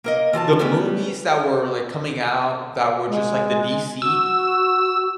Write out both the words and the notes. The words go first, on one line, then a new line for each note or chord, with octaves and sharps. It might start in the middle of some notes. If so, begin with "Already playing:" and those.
the movies that were, like, coming out that were just, like, the DC,
A#3 A#4 D#5
E3 F4 G#5 A5
G3 A3 B3 C#4
G#3
F#4 E6